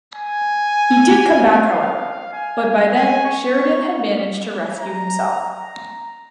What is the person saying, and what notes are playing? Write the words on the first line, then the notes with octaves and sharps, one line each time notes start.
He did come back however but by then Sheridan had managed to rescue himself.
G#5
F5
G#5
G#5
C#6
A#5
A#5